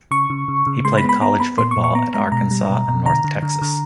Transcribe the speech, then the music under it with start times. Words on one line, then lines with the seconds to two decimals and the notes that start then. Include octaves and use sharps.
He played college football at Arkansas and North Texas.
0.11 C#3 C#6
0.30 C#3
0.48 C#3
0.67 C#3
0.85 G#3 C6
0.98 B5
1.03 B3
1.09 B5
1.21 B3 A#5
1.40 B3 B5
1.58 A#2 C6
1.71 C#6
1.77 A#2
1.84 C#6
1.95 B3 A#5
2.14 G#3 A#5
2.32 B2 A#5
2.51 G3
2.69 B2
2.88 B2
3.06 D3 A#5
3.24 D3
3.42 D3
3.62 D3